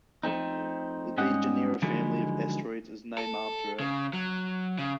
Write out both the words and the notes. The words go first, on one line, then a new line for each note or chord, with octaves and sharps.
The Dejanira family of asteroids is named after it.
F3 A3 C4 D#4
G#2 G3 C#4 D#5 F#5
D3 D#3 F3 F#3 G#3 E4
A4
C#3
F#3
C#3